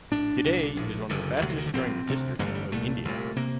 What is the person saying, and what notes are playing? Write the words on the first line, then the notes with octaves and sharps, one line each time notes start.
Today, it is one of the fastest growing district of India.
A#1 A2 D4
C2 A#2
A#1 A2
F#1 F#2 D3
D2 C3 G3
F#3
D#3
D3
A#1 A2 C4
D2 C3
A1 G2 D3 A#3
A3
G3
C2 A#2 A3
C2 A#2
C3 A#3